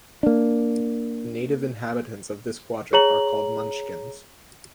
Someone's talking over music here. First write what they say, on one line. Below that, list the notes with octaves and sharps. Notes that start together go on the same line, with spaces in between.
The native inhabitants of this quadrant are called Munchkins.
A#3 D4
G#4 C#5 A#5 F#7